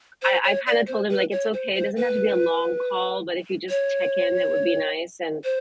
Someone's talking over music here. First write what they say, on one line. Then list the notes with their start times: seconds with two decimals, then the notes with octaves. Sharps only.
I I kinda told him, like, "It's okay, it doesn't have to be a long call, but if you just check in, it would be nice," and
0.22 C5
0.44 C#5
0.67 D5
0.87 C5
1.10 B4
1.32 C#5
1.53 C5
1.74 C5
1.96 B4
3.70 C#5
5.44 C5